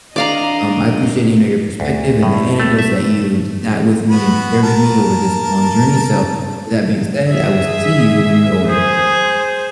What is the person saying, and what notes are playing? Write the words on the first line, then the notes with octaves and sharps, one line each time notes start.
um, I appreciate, you know, your perspective and the anecdotes that you sat with me and shared with me over this long journey, so with that being said, I will see you when you're older.
D4 D5 D#5 F5 A#5
D2
A2
A3
E5
B3 F#4 B5
A#4 A5
G#4 E5
G#4 C5